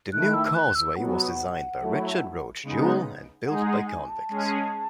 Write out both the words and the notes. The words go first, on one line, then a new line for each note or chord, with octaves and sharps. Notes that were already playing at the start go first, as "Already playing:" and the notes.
The new Causeway was designed by Richard Roach Jewell and built by convicts.
D#3 A3 E4 F#6
E6
E6
F#6
E6
B2 F#3 B3 F#5
F#3 A3 E4
C#3 G#3 B3 D#4
G#3 D#4 G#4 F#5
F#5
G#5
A5
G#3 C#4 G#4